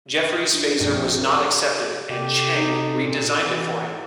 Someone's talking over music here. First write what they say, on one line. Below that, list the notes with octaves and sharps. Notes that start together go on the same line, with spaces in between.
Jefferies' phaser was not accepted, and Chang redesigned it for him.
B4
D4
A#1
A#4
C3 G4 A4
D#4
A#2
E5
E3